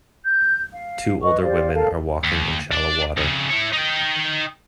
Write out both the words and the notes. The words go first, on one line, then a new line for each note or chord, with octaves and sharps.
Two older women are walking in shallow water.
G6
F5
B4 D#5 C#6
G4 C5 D5 F5
A4 A#4 F5
D#2
D4 D5
F2 C#3
E4 C#5
D#4 G5